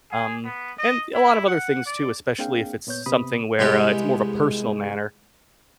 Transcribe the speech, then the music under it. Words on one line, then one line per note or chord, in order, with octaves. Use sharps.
Um, and a lot of other things too, especially if it's s something where, uh, it's more of a personal manner.
G#4
B3
D#5
E4
F#5
D5
A#3 C4 D4 G#4 F5 G5
A#2 B3 C#5 G6
C3 B3 B5 D#6
C2 G#3 B3 G4